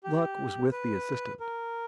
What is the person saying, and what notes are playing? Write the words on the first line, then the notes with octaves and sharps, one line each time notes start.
Luck was with the assistant.
G4
B4
A#4